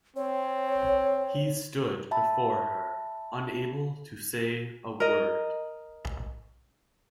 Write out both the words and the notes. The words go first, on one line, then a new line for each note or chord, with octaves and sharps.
He stood before her, unable to say a word.
C4 C#5
E5 A5 B5
A#4 D#5